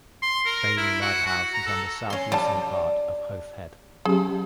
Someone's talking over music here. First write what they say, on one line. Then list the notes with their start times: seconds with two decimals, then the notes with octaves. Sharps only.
Baily Lighthouse is on the southeastern part of Howth Head.
0.22 C6
0.46 A#4
0.77 E4
1.01 F#4
1.26 F#4
1.54 A#5
1.66 A4
2.10 C#4 C6
2.32 G3 F5 A5
4.05 F#3 C#4 G4 G#4